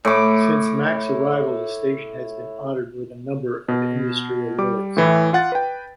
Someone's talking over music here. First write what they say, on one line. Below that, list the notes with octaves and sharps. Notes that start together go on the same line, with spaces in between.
Since Mack's arrival, the station has been honoured with a number of industry awards.
A2 D6
B2
G3 D6
A2 E3 E4
F4 F#5 A6
B4 G5